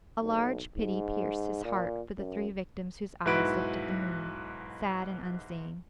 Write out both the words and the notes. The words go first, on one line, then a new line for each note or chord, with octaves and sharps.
A large pity pierced his heart for the three victims whose eyes looked at the moon, sad and unseeing.
B1
G#2
A#2
F#2
B1 G#2 E4 F#4 B4 D7